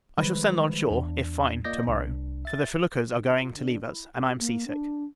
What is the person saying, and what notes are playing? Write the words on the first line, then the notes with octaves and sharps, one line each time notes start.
I shall send on shore, if fine, to-morrow; for the feluccas are going to leave us, and I am sea-sick.
D#3 F3 G3 G#3 B4 C5
E2 D4
A#3 F4 D5 D#5 G6 A#6
C2 D4
E5 A6
D3
F4
D3
E4
G4
A#3
D4